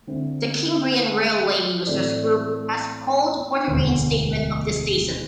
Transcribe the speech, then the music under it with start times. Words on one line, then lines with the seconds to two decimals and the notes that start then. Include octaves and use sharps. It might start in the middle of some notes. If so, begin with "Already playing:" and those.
The Cambrian railway users group has called for the reinstatement of this station.
0.07 D3 C4 E4
1.87 A2 E3 C4 A4 D5
3.68 E1 D2 D3